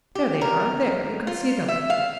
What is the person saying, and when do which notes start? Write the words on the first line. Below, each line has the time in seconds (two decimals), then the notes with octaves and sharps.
"There they are, there... you can see them."
0.15 G4
0.41 A#4
1.27 F4
1.68 E5
1.90 F5